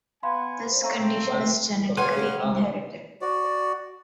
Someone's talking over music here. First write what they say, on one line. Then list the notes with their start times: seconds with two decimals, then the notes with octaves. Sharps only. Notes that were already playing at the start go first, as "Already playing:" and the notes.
This condition is genetically inherited.
0.23 B3 F5 F#5 G#5 B5 C6
0.82 A3 C4 F5 A#5 C#6
1.97 G3 G4 C#5 F5 F#5 G#5 C6
3.21 F#4 D5